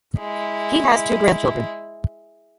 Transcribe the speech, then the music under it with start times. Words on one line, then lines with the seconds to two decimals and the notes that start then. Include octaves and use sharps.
He has two grandchildren.
0.19 G#3 E4